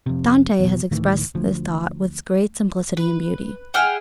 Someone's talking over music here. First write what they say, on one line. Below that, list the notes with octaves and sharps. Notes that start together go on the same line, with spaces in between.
Dante has expressed this thought with great simplicity and beauty.
F2 C3
E2 B2
D2 A2 D#3 E3
D2 F3
B4
E4 G#4 E5 F#5 G5 F6